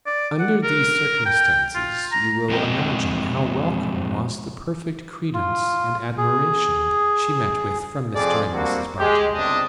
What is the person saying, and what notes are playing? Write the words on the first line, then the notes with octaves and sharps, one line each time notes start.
Under these circumstances, you will imagine how welcome was the perfect credence and admiration she met with from Mr. and Mrs. Barton.
D5
F#5
A#4
G5
F4
A#5
F2 G#3 C4 D#5 G5
F4
G#4
F2 G#4 D5
G3 A#3 C4 D4 F#4
G#3 G4
G1 C#2 C3 C4 D4 D#5